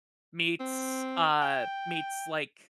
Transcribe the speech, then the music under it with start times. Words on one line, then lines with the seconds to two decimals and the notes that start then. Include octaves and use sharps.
meets, uh, meets, like,
0.60 C4
1.42 G5